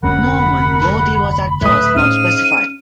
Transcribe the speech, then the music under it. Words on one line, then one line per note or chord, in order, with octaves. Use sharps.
Norman, "bodhi" was at first not specified.
F1 D2 C#4 A#4 F#5 B5
D1 A2 B4 E5 D#6
G#2 C#4 F5 F6 D#7